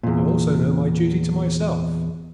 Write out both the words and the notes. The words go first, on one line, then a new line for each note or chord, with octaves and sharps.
I also know my duty to myself.
E2 A#2